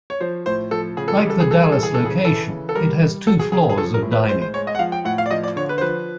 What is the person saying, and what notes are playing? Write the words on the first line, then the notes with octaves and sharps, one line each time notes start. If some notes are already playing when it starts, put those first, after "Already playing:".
Like the Dallas location, it has two floors of dining.
C#5
F3 C5
A2 C5
F3 A4
C#3 G#4
A4
G3 G#4
A4
G#4
G3 A4
G#4
E3 A4
G#4
C#3 A4
G#4
E3 A4
C#3
A4
G3 A#4
G3
F#3 A4
G#4
C#3 G#4
G#4
F3 A4
A#4
A2
B4
G#3 C5
C5
G#3 C#5
D#5
F#5
F3 F5
G5
A2 F#5
F5
D5
F3 D#5
D5
D3 C#5
B4
C5
F3 B4